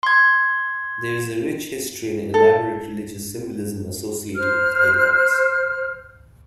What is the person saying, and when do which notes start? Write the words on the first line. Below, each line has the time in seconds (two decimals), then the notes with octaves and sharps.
There is a rich history and elaborate religious symbolism associated with icons.
0.03 C6 G#6
2.34 A4
4.37 C5 F6